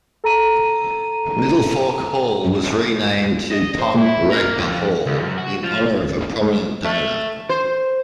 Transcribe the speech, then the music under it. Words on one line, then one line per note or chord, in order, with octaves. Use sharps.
Middlefork Hall was renamed to Tom Raper Hall, in honor of a prominent donor.
A4 A#5 D#7
D#5
C5
E4
A#3
F2
C#2
F#2
F#4
F3
A3
C5